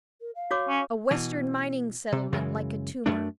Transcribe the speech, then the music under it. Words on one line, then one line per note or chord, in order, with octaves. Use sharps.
A Western mining-settlement like a tumor.
A#4
F5
F#4 C#5 D6
C#4
B2 E3
C3
F#2 C#3 E3 G#3
F#2 A3 D4